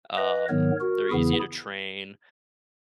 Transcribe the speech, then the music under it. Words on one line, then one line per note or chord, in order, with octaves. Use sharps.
Um, they're easy to train,
B4 D#5
G#2 D#3 F#3 B3 A#4 C#5
F#4 A#4
E2 C#3 E3 B3 E4 G#4